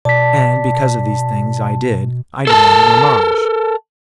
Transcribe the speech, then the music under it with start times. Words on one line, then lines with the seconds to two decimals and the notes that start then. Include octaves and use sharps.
And, because of these things I did, I demanded homage.
0.05 B2 D5 A5 B6
2.47 A4 A#4 A5